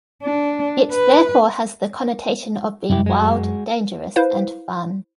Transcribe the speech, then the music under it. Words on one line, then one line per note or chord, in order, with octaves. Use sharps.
It therefore has the connotation of being wild, dangerous, and fun.
D4
B4
C2 F#2 E4 G4
G#3 F#4
E4 B4 C5 F5